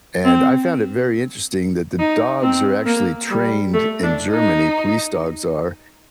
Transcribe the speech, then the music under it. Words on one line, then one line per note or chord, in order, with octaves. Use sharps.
and I found it very interesting that the dogs are actually trained in Germany- police dogs are
C4
D#4
C4
A#3
G3
A3
D4
D#4